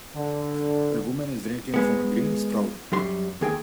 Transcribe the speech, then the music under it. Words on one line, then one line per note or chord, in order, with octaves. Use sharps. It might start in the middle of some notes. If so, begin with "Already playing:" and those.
A woman is drinking from a green straw.
D3
G#3 B3
F#2 G3 C6
D#2 G#4 G5